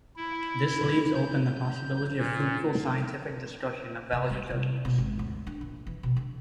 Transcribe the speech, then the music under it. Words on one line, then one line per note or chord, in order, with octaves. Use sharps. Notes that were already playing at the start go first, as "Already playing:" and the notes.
This leaves open the possibility of fruitful scientific discussion of value judgments.
E4
G6
A#2
C3
G3
C3
B2
G#1
D2
D4
A#1
E3
B2
D3